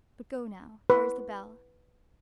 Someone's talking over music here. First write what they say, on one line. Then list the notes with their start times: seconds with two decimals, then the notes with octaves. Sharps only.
But go now; there is the bell.
0.90 B4